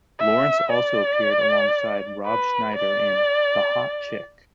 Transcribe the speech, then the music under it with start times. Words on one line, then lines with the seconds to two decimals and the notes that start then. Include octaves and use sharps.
Lawrence also appeared alongside Rob Schneider in "The Hot Chick".
0.20 E5
0.72 D5
2.26 B4
2.76 D5